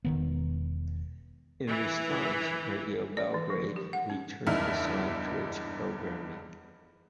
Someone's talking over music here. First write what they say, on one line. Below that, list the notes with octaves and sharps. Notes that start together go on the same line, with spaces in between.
In response, Radio Belgrade returned the song to its programming.
E1 D#3 B3
E3
D5
E3
F3
G4
F#5
C#4
F#1 E2 G2 D#4 E5 F6